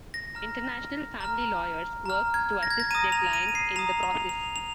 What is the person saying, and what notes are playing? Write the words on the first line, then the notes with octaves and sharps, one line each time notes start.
International family lawyers work to assist their clients in that process.
A#6
A#5 F6
A#5 F6
A#5 F6
G#6
A#6
G#6
A#6
A#5 D#6 D#7
F7
D#7
D#7
C7
A#5 D#6 F7
F7
F7
F7